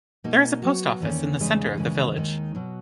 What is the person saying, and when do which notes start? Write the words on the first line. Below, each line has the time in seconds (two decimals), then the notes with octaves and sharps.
There is a post office in the centre of the village.
0.24 B2 A#3 D#4
0.62 F#3 B3 F#4
1.00 E2 D#3 A#3 C#4
1.40 E2 C#3 G#3 D#4 G#4
1.77 D#2 C#3 E3 G#3
2.16 D#2 D#3 G#3 D#4
2.55 B2 F#3